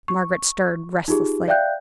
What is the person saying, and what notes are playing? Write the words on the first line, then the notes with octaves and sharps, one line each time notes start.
Margaret stirred restlessly.
C#6
D#4 F4 G4 G#4
D5 E5 F5 G5 F#6 G6